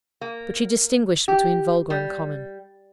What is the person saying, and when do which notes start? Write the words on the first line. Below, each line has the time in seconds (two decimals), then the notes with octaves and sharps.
But she distinguished between vulgar and common.
0.21 A#3
1.28 G4
1.90 G3